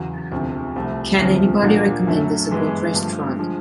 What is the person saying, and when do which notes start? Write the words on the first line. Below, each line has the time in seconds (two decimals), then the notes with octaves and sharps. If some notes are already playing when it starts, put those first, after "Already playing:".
Can anybody recommend us a good restaurant?
Already playing: E2 C#3 F#3
0.31 E1 D2 C3 F3
0.76 C2 C3 F3 A3
1.19 D2 C3 F3
1.62 A#2 F3 A#3 D4 F#4
2.07 F#2 D3 F#3 A3
2.50 G2 E3 G#3 B3
2.94 G2 D3 F3 A3
3.39 D3 F3 G#3